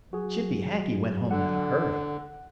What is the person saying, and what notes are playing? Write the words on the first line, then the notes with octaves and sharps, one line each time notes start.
Chippy Hackee went home in a hurry!
F#3 F#4 G#4
D3 F#5